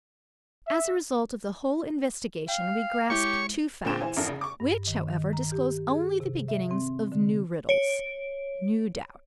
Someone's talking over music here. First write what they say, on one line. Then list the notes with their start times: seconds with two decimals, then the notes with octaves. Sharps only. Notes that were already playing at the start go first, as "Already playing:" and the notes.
As a result of the whole investigation we grasp two facts, which, however, disclose only the beginnings of new riddles, new doubts.
0.67 E5
2.48 F5 G5
3.10 G#3 E4 G4 C#5 C#6
3.85 A#2 D3 C4 G#4 G5 E7
4.01 E3 C5 G#5
4.16 G#1 F2 E3 D4 E4 A#4
4.29 C#3
4.41 C#6 D6
4.60 G2
4.87 D#3
5.10 D#3
5.33 A#5
5.52 G4
5.89 G#4
6.20 C3
6.48 E5
6.71 C4
7.12 D3
7.69 C#5 D7